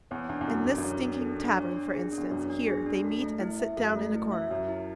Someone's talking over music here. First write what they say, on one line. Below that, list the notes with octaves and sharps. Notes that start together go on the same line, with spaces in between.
In this stinking tavern, for instance, here, they meet and sit down in a corner.
E2 C#5
E2 D4
E2
F#2 A4
E2 D4
F#2
E2 C#5
D4
A4
D4
C#5
D4
G#4
E2 D4
F#2 C#5
D4
G#4
D4
A4
A3
E4
E5
F#2 A4
A3
E4
E5
F#2 C#5
E4